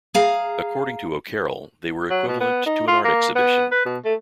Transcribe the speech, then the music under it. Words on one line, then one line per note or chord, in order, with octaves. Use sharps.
According to O'Carroll, they were equivalent to an art exhibition.
G#4 F5 A#5
F#3
B2
B3
D#4
F4
A#3
B3
B4
B2
A3